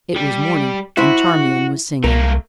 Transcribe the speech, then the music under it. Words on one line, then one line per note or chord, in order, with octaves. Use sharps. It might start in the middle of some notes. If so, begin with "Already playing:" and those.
It was morning, and Charmian was singing.
G3
E4 F#4 C5 E5
C2 A3 A#3 A#4